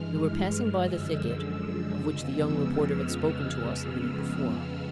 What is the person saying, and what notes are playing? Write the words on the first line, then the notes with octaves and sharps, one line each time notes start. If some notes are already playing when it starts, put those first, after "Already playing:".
We were passing by the thicket, of which the young reporter had spoken to us a minute before.
Already playing: G2 E3 G#3 F6
F#2 D3 F3 G#3 E6
F2 C#3 F3 G#3 B3
F6